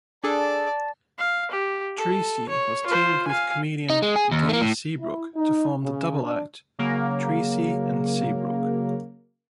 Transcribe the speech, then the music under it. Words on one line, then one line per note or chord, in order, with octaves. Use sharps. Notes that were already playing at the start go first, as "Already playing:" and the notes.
Treacy was teamed with comedian Gay Seabrook to form the double-act Treacy and Seabrook.
D4 G#4 A4 D5 A5
F5
G4
A4
C#5
F4 C5
F5 G#5
D#4
G#3
G#4
D#2
A3 A#3
A2
E4
D#4
C#3
D4
C#3 F#3 A#3